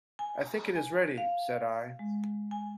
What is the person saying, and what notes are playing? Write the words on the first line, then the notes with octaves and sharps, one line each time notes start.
"I think it is ready," said I.
G#5
G#5
F5
G#3
G#5